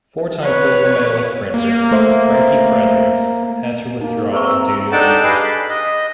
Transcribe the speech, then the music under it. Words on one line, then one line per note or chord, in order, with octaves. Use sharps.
Four-time silver medalist sprinter Frankie Fredericks had to withdraw due to injury.
B4 C#5
A#3
A3 C5 E5
A#3 D#4
C4 G#4 B4 A#5 C#6 E6
D4 D#4 A4 F#5 G5 A5
G4 G#4 B4 D#5 F5
B5
D#5